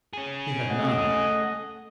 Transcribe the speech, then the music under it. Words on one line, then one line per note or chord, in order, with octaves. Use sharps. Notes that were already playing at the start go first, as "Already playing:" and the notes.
He had none.
C#4 G#4
A3 D#5 F#5